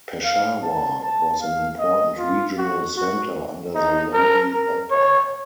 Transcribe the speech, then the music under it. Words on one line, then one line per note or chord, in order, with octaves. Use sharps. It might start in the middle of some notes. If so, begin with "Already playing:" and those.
Peshawar was an important regional centre under the Lodi Empire.
F5
A5
A5
F5
D#5
F4
F#4
F#4
D#4
A#4
A#4
C#5